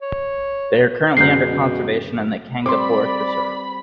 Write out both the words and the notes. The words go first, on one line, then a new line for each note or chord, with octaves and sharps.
They are currently under conservation in the Kanga Forest Reserve.
C#5
F#2 B2 D3 G#3 G6 C7
G3 C4 D5 B5 C6 D6